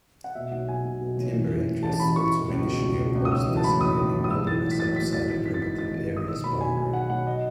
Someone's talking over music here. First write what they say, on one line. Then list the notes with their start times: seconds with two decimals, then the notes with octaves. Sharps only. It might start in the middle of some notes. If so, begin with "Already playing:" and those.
Timber interests also initially opposed designating wilderness outside the primitive area's boundary.
0.24 F#5
0.35 B2 E5
0.52 B1 F#5
0.68 B2 G#5
0.85 B1
1.01 B2
1.17 B1
1.34 A1
1.50 E3
1.66 A2
1.83 A1 A5
1.94 A5
2.00 A1 B5
2.16 E3 C#6
2.33 B2
2.49 C#2
2.65 B2
2.82 C#2
2.98 B2
3.15 C#2
3.25 D#6
3.31 B1 E6
3.48 E3
3.57 A5
3.64 A2 B5
3.81 B1 D#6
3.97 B1
4.13 E3
4.24 D#6
4.30 B1 E6
4.47 E3 A6
4.63 A2
4.71 B6
4.79 B1 A6
4.96 B1 B6
5.13 E3 A6
5.29 G#1 B6
5.46 D#3 B6
5.54 A6
5.62 G#2 B6
5.79 G#1 A6
5.95 G#1
6.12 D#3 D#6
6.28 B2 E6
6.44 B1 B5
6.61 B2 G#5
6.77 B1 G#5
6.93 B2 F#5
7.10 B1 F#5
7.27 D#5